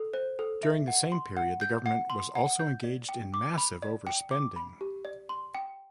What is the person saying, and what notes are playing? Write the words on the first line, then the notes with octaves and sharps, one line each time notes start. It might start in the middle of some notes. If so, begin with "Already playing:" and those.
During the same period the government was also engaged in massive overspending.
Already playing: A4
C5
A4
E5
F#5
C6
F#5
G6
F#5
C6
F#5
G6
D5
G5
D6
B5
D5
G5
D6
B5
G4
D5
C6
G5